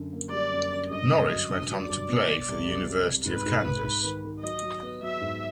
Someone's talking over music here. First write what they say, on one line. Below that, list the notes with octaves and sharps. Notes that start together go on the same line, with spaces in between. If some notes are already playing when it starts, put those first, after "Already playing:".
Norris went on to play for the University of Kansas.
Already playing: F#2 D3
A#3
G3 D5
F#2
F#2
G2 D#5
D3
F#3
D3 D#5
F#3
D5
G2
B2
B2
C2
G3
G3
C2
G#2 B4
G#2
G#2
G#2
D#3
D#3
F#3 D#5
F#3
B3
F#3 E5
G#2